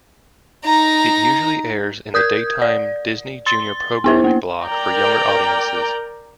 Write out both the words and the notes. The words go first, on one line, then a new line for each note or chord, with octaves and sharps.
It usually airs in the daytime Disney Junior programming block for younger audiences.
D#4 A#5
A#4 D#6 G6 G#6
D5
C6 A6 G7
B3 E4 C5
A#3
A#4 D5 G5 A#5